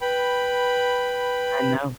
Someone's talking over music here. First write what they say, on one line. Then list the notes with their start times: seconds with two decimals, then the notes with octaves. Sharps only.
I know.
0.01 B4 G5 B5